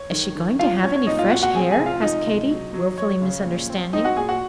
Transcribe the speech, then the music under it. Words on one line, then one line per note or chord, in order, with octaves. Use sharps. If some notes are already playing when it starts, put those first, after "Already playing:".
"Is she going to have any fresh hair?" asked Katy, wilfully misunderstanding.
Already playing: C#5
D#3
D#3
F3 F4 F5
C#4 C#5
C#5
A#2 D#4 D#5
F4 F5
A#2 F#4 F#5
F#4 F#5
C4 G#4 G#5
G#4 G#5
C3
F4 F5
F3 D#4 D#5
C3
F#3
F#3
F#3 C#5
C#3
A#2
C4
C4 D#4 D#5
F#4 F#5
A#2 G#4 G#5
F#4 F#5